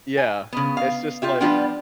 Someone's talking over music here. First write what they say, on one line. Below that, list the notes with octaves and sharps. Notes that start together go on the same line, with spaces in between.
Yeah, it's just, like
G#5
C#3 B3
F5
F4 G4 E5
F3 G3 B3 D4 F4 G5